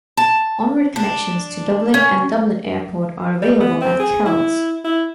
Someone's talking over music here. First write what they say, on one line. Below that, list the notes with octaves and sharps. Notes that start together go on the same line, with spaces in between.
Onward connections to Dublin and Dublin Airport are available at Kells.
A5
D4
C#4
G3
B3
C4
G#4
E4
E4